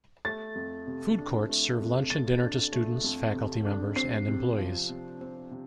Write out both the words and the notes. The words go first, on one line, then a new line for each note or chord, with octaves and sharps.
Food courts serve lunch and dinner to students, faculty members, and employees.
A3 A6
F2
C3
D4
A3
F2
C3 A6
D4
A3
F2
C3
D4
C4 C7
C3
F3
C3
C4
C3